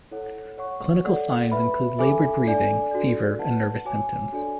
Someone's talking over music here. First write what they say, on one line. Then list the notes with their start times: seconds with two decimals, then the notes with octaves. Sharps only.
Clinical signs include laboured breathing, fever and nervous symptoms.
0.11 E4 A4 C#5 F#5
0.58 C#5 F#5 C#6
1.04 A4 D5 F#5
1.52 B4 E5 B5
1.99 A4 E5 G#5 B5 D6
2.45 D4 A4 D5 G#5
2.91 D4 F#4 A4 D5
3.38 E4 B4 F#5 A5
3.85 F#4 C#5 G#5 D6
4.33 D4 F#4 A4 D5 G#5